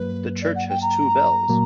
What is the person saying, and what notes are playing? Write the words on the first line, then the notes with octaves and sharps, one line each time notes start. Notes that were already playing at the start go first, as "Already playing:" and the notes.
The church has two bells.
Already playing: G2 F#3 A#3 B4
D5
F#5
G5
A#5
A#2 F#3 A#3